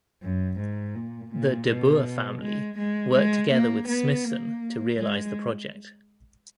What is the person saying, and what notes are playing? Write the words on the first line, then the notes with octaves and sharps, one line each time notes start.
The De Boer family worked together with Smithson to realise the project.
F#2
G#2
A#2
A#2
B2
G#3
G#3
G#3
A#3
B3
A#3
G#3